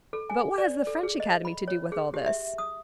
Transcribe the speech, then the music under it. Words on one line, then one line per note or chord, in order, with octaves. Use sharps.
"But what has the French Academy to do with all this?"
A4
G#5
D5
A4
G#4
D#5
B5
C#5
G#4
G4
E5
D#6